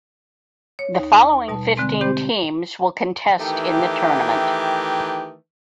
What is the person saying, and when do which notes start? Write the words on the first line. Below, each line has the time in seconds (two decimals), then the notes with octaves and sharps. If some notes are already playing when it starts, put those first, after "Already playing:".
The following fifteen teams will contest in the tournament.
0.79 C#5
0.96 D#2 D#4
1.48 B2 G3 A5
1.77 D3 G#3 C4
2.01 C4 G4 C5
3.39 D#3 E3 A3 G4